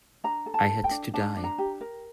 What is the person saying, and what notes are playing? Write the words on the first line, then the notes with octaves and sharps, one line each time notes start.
I had to die.
D4 A#5
A4
A5
A4
G5
D4
D4 A5
D4
A#5
G4
A#4